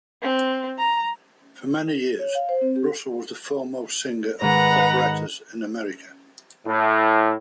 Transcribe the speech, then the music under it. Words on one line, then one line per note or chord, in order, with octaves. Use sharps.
For many years, Russell was the foremost singer of operettas in America.
C4
A#5
C#5
F5
C5
C4
G4
G#2 D#3 B4 F#5 A#5
A2